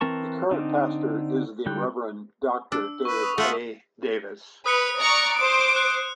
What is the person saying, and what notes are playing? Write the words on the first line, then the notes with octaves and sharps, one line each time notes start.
The current pastor is The Reverend Doctor David A. Davis.
E3 C4 A#4 A5 C#6
D3 C4 D4 D#4
D3 G3 G5 F#6
D4 E6
B4 C#6
D#6
A3 F4 E5 F#5
B4 D#6 F#6 C#7
D5 A#5 C#6
C5 D6 D7
F#6